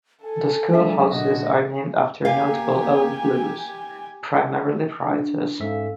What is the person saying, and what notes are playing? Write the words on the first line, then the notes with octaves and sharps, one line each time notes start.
The school houses are named after notable Old Blues, primarily writers.
A4 G#5
F#3 G#3 D4 A#4 E5
A#2 D3 F#4 D#5
A#3 G4 F5 G#5
D4
G#2 C#4 A4 E5 F5